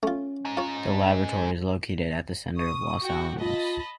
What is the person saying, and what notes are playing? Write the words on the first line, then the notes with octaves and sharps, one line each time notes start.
The laboratory is located at the center of Los Alamos.
A3 C#4 F4
G#3 D#4
F4 C#5
C#6 D#6
F#4 G5
F4 D#5 A5 B5